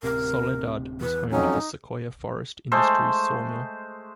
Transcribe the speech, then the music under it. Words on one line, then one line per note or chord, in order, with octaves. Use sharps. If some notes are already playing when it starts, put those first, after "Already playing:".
Soledad was home to the Sequoia Forest Industries sawmill.
D1 C3 A#4
E2 B4
F2 F#3 C#4 D#4
G#3 A3 C5